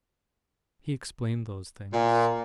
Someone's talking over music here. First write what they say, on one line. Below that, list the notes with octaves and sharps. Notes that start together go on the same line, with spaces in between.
He explained those things.
A#2